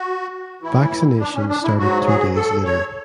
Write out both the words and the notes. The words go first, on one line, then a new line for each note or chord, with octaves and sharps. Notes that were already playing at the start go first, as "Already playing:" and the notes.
Vaccinations started two days later.
Already playing: F#4
A2 E3 E4
D4
C#4
D4
E4
G#2 F#3 F#4
G#4
A4
C#5